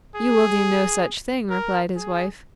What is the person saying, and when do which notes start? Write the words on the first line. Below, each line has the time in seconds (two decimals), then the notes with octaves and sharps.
'You will do no such thing,' replied his wife.
0.15 G#4
1.50 A#4
1.96 G#4